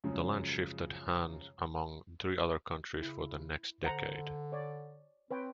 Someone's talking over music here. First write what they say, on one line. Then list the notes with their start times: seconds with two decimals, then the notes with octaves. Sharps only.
The land shifted hands among three other counties for the next decade.
0.04 F#2 C#3 F3 G#3
3.02 C#3 E4
3.83 D3 C5 F#5 A#5
4.52 C#5 D5
5.31 C4 B4 C#5 G5